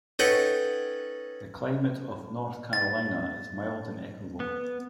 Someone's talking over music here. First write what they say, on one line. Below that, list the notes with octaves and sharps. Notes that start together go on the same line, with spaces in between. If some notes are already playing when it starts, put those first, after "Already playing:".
The climate of North Carolina is mild and equable.
C#4 D#4 A4 B4 F#5 G5
A6
B3